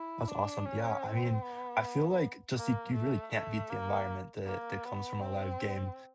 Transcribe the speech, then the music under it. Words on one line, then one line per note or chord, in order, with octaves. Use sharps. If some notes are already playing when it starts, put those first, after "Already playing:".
That's awesome. Yeah, I mean, I feel like just you you really can't beat the environment that that comes from a live game.
Already playing: E4
D4
C#4
C4
B3
A#3
A3
A3
A#3
A#3
B3
C4